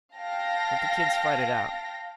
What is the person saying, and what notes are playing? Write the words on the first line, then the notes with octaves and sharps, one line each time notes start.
"Let the kids fight it out."
F5 G5 A5 A#6